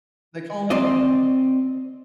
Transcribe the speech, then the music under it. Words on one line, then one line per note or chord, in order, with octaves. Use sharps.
they call 'em, uh
C4 D5 D#5